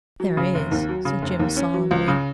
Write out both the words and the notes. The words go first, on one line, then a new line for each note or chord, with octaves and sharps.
"There is," said Jim solemnly.
F#3
C#3
F1
D#2
F#3
C#3
F1
D#2
C#4
F#3
C#2
C#3